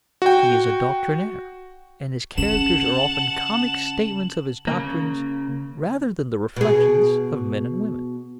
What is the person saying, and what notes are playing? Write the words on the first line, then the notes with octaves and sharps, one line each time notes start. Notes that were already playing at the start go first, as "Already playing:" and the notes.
He is a doctrinaire, and his characters are often comic statements of his doctrines rather than the reflections of men and women.
F#4 G5
C#3 F#5 A5 E7 F#7
C#3 A#3
B2 G#4